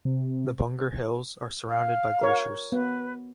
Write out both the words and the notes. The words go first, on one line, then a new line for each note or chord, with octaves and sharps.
The Bunger Hills are surrounded by glaciers.
C3
F5
A#4 C#5
B3 B4